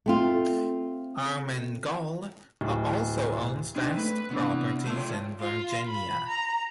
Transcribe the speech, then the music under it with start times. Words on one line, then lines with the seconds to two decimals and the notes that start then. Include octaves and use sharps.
Armengol also owns vast properties in Virginia.
0.06 A3 C4 F4
2.61 D1
3.76 C4 D4 D#4 G#4 B4 D5
3.97 A3 B4
4.30 C3 B3 D4 E4
4.86 C#2 A2 A3 D4 F4
4.97 C#5 D5 G5
5.41 F4
5.87 B5
6.28 A#5